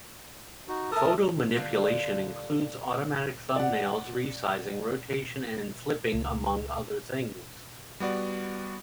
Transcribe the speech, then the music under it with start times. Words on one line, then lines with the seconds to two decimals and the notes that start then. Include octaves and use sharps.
Photo manipulation includes automatic thumbnails, resizing, rotation, and flipping, among other things.
0.68 D#4 F#4
0.92 A4 A#4 E5 A5 D#6
1.57 D3 G3 F4
3.56 D5 F#5
6.13 C#2
8.00 G3 B3 F#4 D5